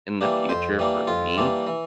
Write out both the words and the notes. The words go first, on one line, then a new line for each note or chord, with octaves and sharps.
in the future for me
E3 G3 A#3 D4
F2 C5
E3 G3 A#3 D4
F2 F4
E3 G3 A#3 D4
E3